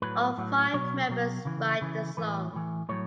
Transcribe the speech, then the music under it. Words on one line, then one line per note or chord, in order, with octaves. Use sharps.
All five members write the songs.
A2 F#3 B4
A2 F#3
B2 F#3 C#5
B2 F#3
C#3 E3
C#3 E3
A2 E3 B4
A2 E3
A2 F#3 C#5